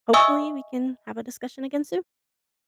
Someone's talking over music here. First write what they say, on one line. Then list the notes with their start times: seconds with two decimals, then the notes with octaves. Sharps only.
hopefully we can have a discussion again soon.
0.13 D#5 E5 G#5 C#6 D#6 E6